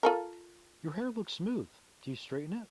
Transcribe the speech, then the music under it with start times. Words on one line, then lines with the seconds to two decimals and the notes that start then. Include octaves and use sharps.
Your hair looks smooth, do you straighten it?
0.03 F4 A4 A#4